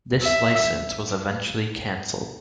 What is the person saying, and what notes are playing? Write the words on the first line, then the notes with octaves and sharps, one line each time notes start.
This license was eventually canceled.
E5